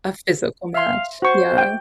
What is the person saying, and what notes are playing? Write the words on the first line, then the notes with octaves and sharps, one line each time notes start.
a physical match, yeah.
E5 F5 C6
F#4 C5 C#6
G5